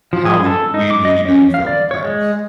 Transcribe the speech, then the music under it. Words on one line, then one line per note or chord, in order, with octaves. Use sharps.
how y we knew you know, you felt in the past."
F3
G#4
A4
D#4
D6
D#5
C#4
F5
D5
C#5
G#3